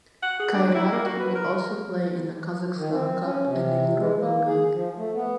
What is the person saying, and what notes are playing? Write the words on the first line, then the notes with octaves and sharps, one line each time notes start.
Kairat will also play in the Kazakhstan Cup and the Europa League.
F#5
G#4
D4
E4
A#3
F#4
B4
A#4
D#3
C4
C#4
C3
G#3
A#3
G#4
F3
A3
B3